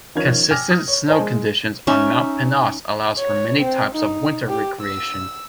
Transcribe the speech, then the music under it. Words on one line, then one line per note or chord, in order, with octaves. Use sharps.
Consistent snow conditions on Mount Pinos allows for many types of winter recreation.
D#3 F3 C#4 A#4 G#6 F7
G5 G#5 D6 E6 F6 A#6
D#6 F6
C#5
C5 D5 D#5 G#5 A5
G#3
C#4 D#4 E5
C#5
C4
D#4
G4
E6